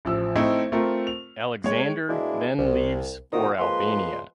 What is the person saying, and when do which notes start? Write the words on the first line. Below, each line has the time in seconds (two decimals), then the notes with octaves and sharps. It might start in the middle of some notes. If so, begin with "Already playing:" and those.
Aleksander then leaves for Albania.
0.05 A1 F3 E6
0.36 A3 C4 D#4 E4
0.72 A3 C4 F4 A#4
1.07 F7
1.64 G#3 C#5
2.09 B2 G#3 A#3 D4 E4
2.58 C2
3.32 A#2 D#3 C4 D#4 F#4 D#6
3.59 F3 G#3 A#3 B4 C5 C6